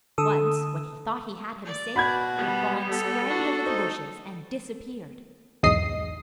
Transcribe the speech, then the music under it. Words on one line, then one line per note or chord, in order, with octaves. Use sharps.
Once, when he thought he had him safe, the fawn sprang over the bushes and disappeared.
D3 A4 D#6 E6
D5
B2 F#4 B5 G6 G#6
G3 B3
A4
D4 F#4
D#4 C5
B1 E2 G#2 D#5 D#6 C7